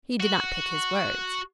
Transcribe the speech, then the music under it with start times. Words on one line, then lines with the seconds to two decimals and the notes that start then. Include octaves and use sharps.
He did not pick his words.
0.20 F#4